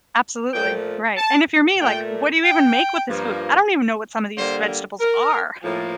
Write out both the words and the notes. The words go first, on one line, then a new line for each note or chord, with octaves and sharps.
Absolutely, right. And if you're me, like, what do you even make with this food? I don't even know what some of these vegetables are.
A#2 F3 A3 G5
A5
A#2 A3 G5
G5
G2 F3 A#3
D3 G3 A#3 C5
A#4
A2 F3 A#3